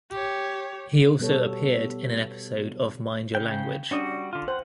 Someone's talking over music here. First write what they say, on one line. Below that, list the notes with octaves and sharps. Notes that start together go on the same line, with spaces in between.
He also appeared in an episode of "Mind Your Language".
G4 C#5
B2 G3 B3 A4 C#5
C#3 G3 G5
G3 C#4 D4 F#4 D#6
D3 F4
C5 F#5